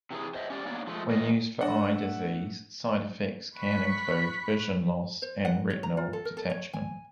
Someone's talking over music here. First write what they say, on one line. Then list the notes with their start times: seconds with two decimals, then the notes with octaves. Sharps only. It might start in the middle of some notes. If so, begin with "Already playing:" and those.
When used for eye disease side effects can include vision loss and retinal detachment.
0.10 C3 E3 G#4
0.34 C5 D#5 E5
0.50 C#4 G4 D5
0.65 A#3 B3 D4 D#4 C#5 D5
0.87 F3 G#3 A3
1.10 E3 A#3 D#5
1.61 A3 D4 F#5 A#6
3.56 B5 C#6 F#6 B6
5.22 C5
5.45 F#5
5.70 C#5
5.83 A#5
5.97 F4
6.13 A4
6.25 A#4
6.37 A4
6.50 C#5
6.73 G#5